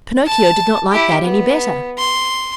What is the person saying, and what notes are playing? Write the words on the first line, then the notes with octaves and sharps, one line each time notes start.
But Pinocchio did not like that any better.
A5
E4 G4
B3
C6